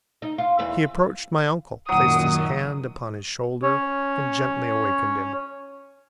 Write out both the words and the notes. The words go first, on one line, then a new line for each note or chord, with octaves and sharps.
He approached my uncle, placed his hand upon his shoulder, and gently awakened him.
D#4
F4
E2 E3 B4
F#2 A#2 D#3 F#3 D#6
C#4 C#5